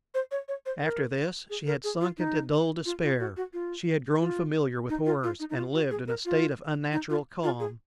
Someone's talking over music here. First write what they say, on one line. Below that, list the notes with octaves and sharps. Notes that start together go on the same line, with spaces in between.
After this she had sunk into dull despair; she had grown familiar with horrors and lived in a state of unnatural calm.
C5
C#5
C#5
C5
A#4
G#4
A#4
G#4
F4
D#4
F4
F4
F#4
F#4
F4
F4
D#4
F4
F4
D#4
D#4
F4
F#4
G#4
A#4
F4
D#4
F4
F4
G#4